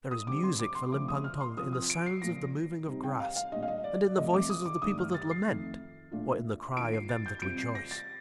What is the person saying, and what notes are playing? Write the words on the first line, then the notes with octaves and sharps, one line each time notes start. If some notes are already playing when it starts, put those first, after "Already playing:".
There is music for Limpang-Tung in the sounds of the moving of grass and in the voices of the people that lament or in the cry of them that rejoice.
D#6
D3 G3 C4 D6
C6
D6
C6
D3 F3 A3 C4 D6
D#6
F6
C6
C3 F3 C4 F4 D#6
D#6
D7
C7
A#2 F3 A#3 F4 A#6
C3 G3 C4 D#4
G5
F5
F5
A#2 G3 D4 D#5
F5
D#5
D5
D5
F2 C3 F3 A3 D#5
D6
D#6
D6
G2 D3 A3 D#4 D#6
F6
A6
C7
F2 D#3 A3
A#2 A3 D4 F4
D#3 A#3 D4 F4 D7
C7
A6
G6
C3 G3 C4 F4 D7
C7
A#6
A6